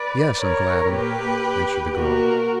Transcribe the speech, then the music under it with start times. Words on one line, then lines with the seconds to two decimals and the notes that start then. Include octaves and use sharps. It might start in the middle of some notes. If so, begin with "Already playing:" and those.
"Yes, Uncle Adam," answered the girl.
Already playing: B4 D5
0.39 A#4 C#5
0.91 A#2 A#3 G4 B4
1.94 B2 A#3 F#4 A#4